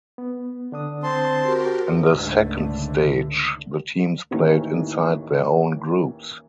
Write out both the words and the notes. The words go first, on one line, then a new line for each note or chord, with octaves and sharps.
In the second stage, the teams played inside their own groups.
B3
D3 D4 D#6
C4 A5 C6
F#4 G4 A#4
C#2 G#2 D3 A3
A1 D#2 D#3 E3